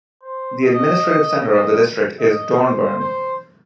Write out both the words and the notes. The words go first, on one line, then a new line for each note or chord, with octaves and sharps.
The administrative center of the district is Dornbirn.
C5
D#5
D#5
D#5
C5
C5